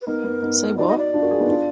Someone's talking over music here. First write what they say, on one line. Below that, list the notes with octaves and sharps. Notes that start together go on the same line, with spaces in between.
Say what?
B4
B3 D#4 A#4
B3 D#4
B3 D#4
D#4 F#4 D5
D#5
D5
D4 F4
F#4 A#4
F4 G#4
B3 D#4
D4 F4